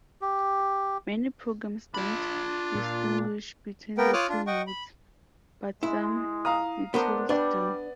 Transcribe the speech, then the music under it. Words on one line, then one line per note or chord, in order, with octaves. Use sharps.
Many programs don't distinguish between the two modes, but some utils do.
G4
D4 F4 B5
A#2
A#3 B3 A#4 B4 G5
F4 C#5 D6 D#6 F6 F#6
D4 F4
D#5 F#5 G5 C#6
B5
G#3 E4
F5 A#5 D#6
B3 D4 A#4 C5
G3 B3 D4 D5 G5 D6